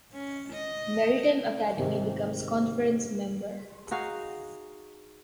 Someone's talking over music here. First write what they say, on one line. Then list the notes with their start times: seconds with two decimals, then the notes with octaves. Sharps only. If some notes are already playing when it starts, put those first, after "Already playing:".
Maritime Academy becomes conference member.
0.13 C#4
0.53 D#5
1.77 G#2 C3 D#3
3.91 D#4 F#4 G#4 F5